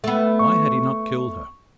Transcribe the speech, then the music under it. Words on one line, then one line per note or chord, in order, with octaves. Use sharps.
Why had he not killed her?
A3 B3
C#6